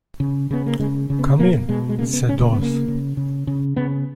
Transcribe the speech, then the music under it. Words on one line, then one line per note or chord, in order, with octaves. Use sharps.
"Come in," said Oz.
C#3
C#3 B3
A#3
C#3 G#3
C#3
B3
B2 A#3
B2 G#3
G#3
C#3 A#3
B3
C#3 C#4
A#3
B3
C#3 A#3
C#3
C#3
C#3
C#3 B3